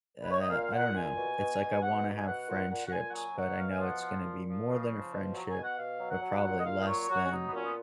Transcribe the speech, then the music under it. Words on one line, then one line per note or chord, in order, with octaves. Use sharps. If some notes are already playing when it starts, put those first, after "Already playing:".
uh I don't know, it's like I wanna have friendships, but I know it's gonna be more than a friendship, but probably less than,
B4
C#5
D#5
A#2 F5
A#2 F#5
A#2 G#5
B2
B2
B2
B2 F#5
B2
G#5
B2 F#5
A#2 F#5
A#2 F#5
F#5
A#2 G#5
F#5
F#3 G#5
B2 F#5
B2 F5
G#5
F3 F#5
F3
A#2
F3
C#3
F3
B2
F#3
G#5
B2
F#5
B2 F5
F#3
F#5
F#3
A#2 F#5
D#5
A#2 F5
D#5
F#3 C#5
F#3 F#4
C#4
F#3 D#4
B3
A#2 C#4
B3